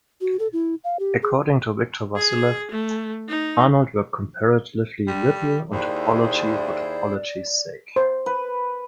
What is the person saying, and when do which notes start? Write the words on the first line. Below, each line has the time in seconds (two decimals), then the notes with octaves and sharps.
According to Victor Vassiliev, Arnold worked comparatively little on topology for topology's sake.
0.21 F#4
0.39 A4
0.53 E4
0.84 F5
0.99 G4
1.22 G#4
2.15 G#4
2.71 A3
3.28 D#4
5.08 G3
5.72 D#2 E4 G#4 C5 D5
7.96 C5
8.26 B4